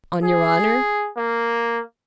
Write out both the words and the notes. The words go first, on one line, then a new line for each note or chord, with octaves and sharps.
"On your honor?"
G#4
A#3